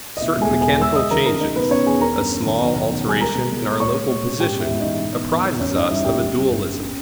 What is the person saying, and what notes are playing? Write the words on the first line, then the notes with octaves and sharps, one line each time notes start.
Certain mechanical changes, a small alteration in our local position apprizes us of a dualism.
D#5
B2 E4 E5
E1
G#4 G#5
B2
E2 G#4 G#5
G#3 E5 E6
G#3 D#5 D#6
D#3 A#4 A#5
C#4 A#4 A#5
A#3 D#4 D#5
B2 B3 B4
B2 C#4 C#5
E2 G#4 G#5
C#4 A#4 A#5
G2
C#4
D#3
B1
B1
B2
G3 G#5
G#3 A#4 A#5
B2
G#3
G#3
A#2 C#5 C#6
A#2
A#2
C#4
G#2 G4 G5
B3 E4 E5
G#2
E3 D#4 D#5
B2
B3
E2
E2
G1 C#4 C#5
G2 D#4 D#5
G3 E4 E5
G1 G4 G5
G2
G3
G2
C#4
C#4